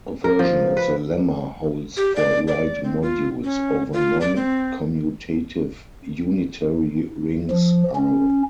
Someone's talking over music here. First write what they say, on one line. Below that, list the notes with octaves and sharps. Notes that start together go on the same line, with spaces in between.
A version of the lemma holds for right modules over non-commutative unitary rings "R".
A#4
F3
B4
G4
D5
D5
C4
F4
C#4
F4
D5
C4
F3
C#4